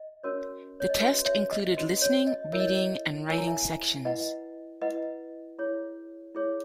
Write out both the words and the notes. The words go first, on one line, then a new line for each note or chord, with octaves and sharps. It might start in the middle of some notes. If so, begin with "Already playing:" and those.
The test included listening, reading and writing sections.
Already playing: D#5
C#4 F#4 A#4 C#5
C#5
D#5
C#4 F#4 B4 C#5 E5
C#5 E5
D#5
C#4 F#4 B4 D#5
C#5
D#5
E4 A#4 C#5 E5
D#5
C#5
D#5
E4 A#4 C#5 G#5
A#5
E5 G#5
E4 B4 D#5 F#5
E4 B4 D#5 F#5
E4 G#4 C#5
E4 G#4 C#5